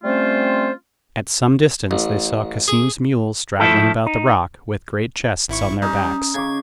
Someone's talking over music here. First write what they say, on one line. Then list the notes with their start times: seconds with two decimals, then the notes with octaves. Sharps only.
At some distance they saw Cassim's mules straggling about the rock, with great chests on their backs.
0.04 G3 A3 C4 C#4 F4 C5
1.91 A1
2.68 G#4
3.59 A2 F3 E4 A4
4.07 D#4
5.48 G#1 E4 C#6
5.82 G3 C#4 D#4
6.34 C#3 C#6 D6 G#6